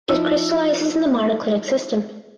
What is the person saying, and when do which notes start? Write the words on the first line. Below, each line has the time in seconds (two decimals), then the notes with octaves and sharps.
It crystallizes in the monoclinic system.
0.08 F3 D#4 E4 E6